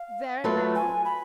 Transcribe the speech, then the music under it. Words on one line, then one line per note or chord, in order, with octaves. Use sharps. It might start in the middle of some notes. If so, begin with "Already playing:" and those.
There now!'
Already playing: F5
F#3 A3 F4 B4
G#5
B5